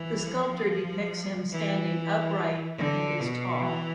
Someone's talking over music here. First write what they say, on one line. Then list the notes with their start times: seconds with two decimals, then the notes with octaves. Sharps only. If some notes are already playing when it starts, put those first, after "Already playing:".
The sculpture depicts him standing upright and is tall.
Already playing: E3
0.27 F3
1.52 E3
2.78 D3
3.20 B2
3.61 E3